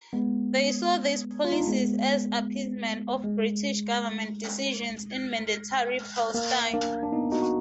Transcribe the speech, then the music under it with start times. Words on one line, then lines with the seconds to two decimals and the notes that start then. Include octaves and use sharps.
They saw these policies as appeasement of British Government decisions in Mandatory Palestine.
0.13 G#3 B3
1.44 F4
1.52 D#4
1.60 D4
1.67 G#3 B3
3.24 G#3
6.34 A#3
6.74 A#3 D4
7.03 D4
7.12 B3 D#4
7.32 D#4 F#4
7.42 F#4